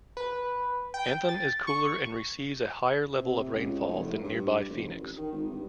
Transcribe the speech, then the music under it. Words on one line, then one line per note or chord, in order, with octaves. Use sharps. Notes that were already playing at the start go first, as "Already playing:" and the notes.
Anthem is cooler and receives a higher level of rainfall than nearby Phoenix.
B4
G5
A6
C#6
C3
C#2
F1
A2
G2
F1
A1
D#3
G#1
G2